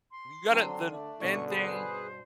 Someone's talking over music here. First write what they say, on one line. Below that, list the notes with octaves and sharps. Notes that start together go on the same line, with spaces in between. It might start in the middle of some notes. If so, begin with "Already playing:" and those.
You gotta the main thing
C6
D3 F#3 C4 D4
A3 D4 D5
G2 B2 D3 C#4 C#6
G#4 B4 C5